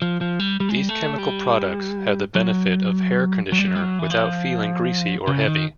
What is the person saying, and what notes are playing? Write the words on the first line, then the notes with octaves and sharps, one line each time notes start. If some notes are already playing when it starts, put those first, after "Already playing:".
These chemical products have the benefits of hair conditioner without feeling greasy or heavy.
F3
F3
G3
G3
G#3
G3
A3
G3
F#3
F#3
G3
F#3
G3
F#3
E3
F3
C#3
D#3